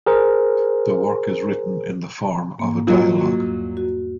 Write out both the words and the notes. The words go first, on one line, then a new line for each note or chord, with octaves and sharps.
The work is written in the form of a dialogue.
G#4 A#4 C5
G#2 A#3
A#2 F#3 G3 D#5 F5
A#3 F#4
E2
F#4